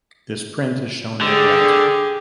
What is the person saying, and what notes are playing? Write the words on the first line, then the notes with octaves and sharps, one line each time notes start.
This print is shown at right.
D3 G4 G#4